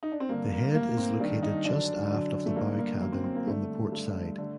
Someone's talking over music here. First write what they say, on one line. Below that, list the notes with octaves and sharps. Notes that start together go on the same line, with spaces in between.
The head is located just aft of the bow cabin on the port side.
D#4
D4
C4
G2 D3 A#3
A#3
A2 A#3
C4
G2 D#3 D4
D#4
F#2 D3 D4
F#2 D3
A3
G2 D3 A#3
A#3
F#2 D3 A#3
C4
C4
A#3
G2 D3 A3
G2 D3
D3